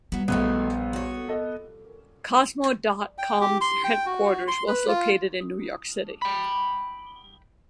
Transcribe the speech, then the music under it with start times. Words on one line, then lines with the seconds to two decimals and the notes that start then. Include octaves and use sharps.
Kozmo dot com's headquarters was located in New York City.
0.12 F#3 G3 B3
0.28 A#1 D#3 F#3 A3 B3
0.93 F#4 C#5
1.29 A4 D#5
3.18 G5
3.41 G4
3.61 C6
3.84 G5
4.06 F#4
4.48 C6
4.68 B4
4.88 F4
6.22 G5 B5